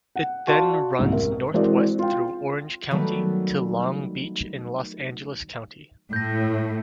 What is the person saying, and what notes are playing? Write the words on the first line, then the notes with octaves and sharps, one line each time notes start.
It then runs northwest through Orange County to Long Beach in Los Angeles County.
F#5
F#4 D5 F5 A5 C6 C#6
F#1 C2 G#2
A#4 E5
E3 G#3 C4 F#4 A#4 D5
F4 F5 G5
D#3 F#3 G3 A3 B3
A2 G6 A#6